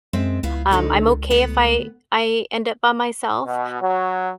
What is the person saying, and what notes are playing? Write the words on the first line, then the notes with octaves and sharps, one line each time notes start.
Um, I'm okay if I I end up by myself,
F#2 G#3 C4 E5
C#2 B3 E4 F5
D3 D#4 A4
D2 B3 F#5
B2
F#3